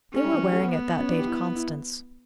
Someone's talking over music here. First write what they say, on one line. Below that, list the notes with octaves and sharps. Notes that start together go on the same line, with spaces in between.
They were wearing it that day to Constance.
A3 C#4
G3
E3
G3
A3
B3
B3
C#4
D4
G4
E4
E4